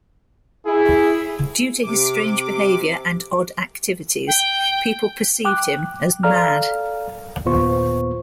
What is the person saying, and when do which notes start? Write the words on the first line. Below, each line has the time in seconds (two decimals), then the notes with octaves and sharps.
Due to his strange behavior and odd activities, people perceived him as 'mad'.
0.66 E4 G#4
1.84 C3 D6
4.27 G5
5.45 G5 D6 F#6
6.23 A4 D5 F5 A#5 F6
7.45 D#2 A#2 B3 F4 C5 C#6